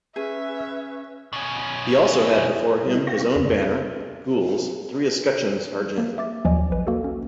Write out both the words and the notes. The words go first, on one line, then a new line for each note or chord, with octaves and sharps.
He also had before him his own banner, gules, three escutcheons argent.
C#4 G#4 B4 E5
B2 C#4
G3 E4 D#5
G4 F5 G5 C#6 A#6
A#4
F2 C#3 G#4 D5
A#3
E5 D6 A6
D#2 F3 F#3 D5 D#5 G#5
A#1 B4
A#3 F#4 A4
C#4